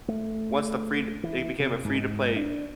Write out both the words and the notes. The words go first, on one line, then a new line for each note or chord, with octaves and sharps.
once the free it became a free-to-play
A3
E3
C3
G#2
D4